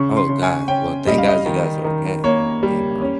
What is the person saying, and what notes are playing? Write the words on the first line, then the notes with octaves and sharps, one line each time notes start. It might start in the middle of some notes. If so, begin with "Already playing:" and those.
Oh, god. Well, thank gods you guys are okay, you know?
Already playing: C#3 C#6
C6
C#3
G#5
C#4 G5
G3 D#5
F5
D#5
D#3
D#3
A#3 C#5
G3
C#4